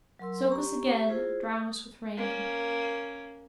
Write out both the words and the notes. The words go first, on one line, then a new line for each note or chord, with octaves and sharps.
"Soak us again-- Drown us with rain!"
F#3 A#4 C6 E6
G4 A#5 C#6
E4 F4 G#4 C5
D#6
A#3 C#4